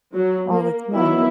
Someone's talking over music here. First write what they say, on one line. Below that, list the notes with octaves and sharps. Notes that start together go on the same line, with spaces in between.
All the time.
F#3
A#3
D#3 F#3 B3 E4